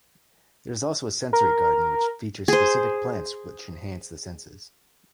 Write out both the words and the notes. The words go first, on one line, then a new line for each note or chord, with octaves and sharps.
There is also a sensory garden which features specific plants which enhance the senses.
A#4
G#4 C5